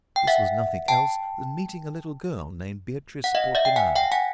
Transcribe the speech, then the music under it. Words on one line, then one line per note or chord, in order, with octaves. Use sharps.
This was nothing else than meeting a little girl named Beatrice Portinari.
G5
E5 F#5
G5 A5
F#5
D#5 F5
D5 E5
G5
F#5 G#5
F5 G5
F#5 G#5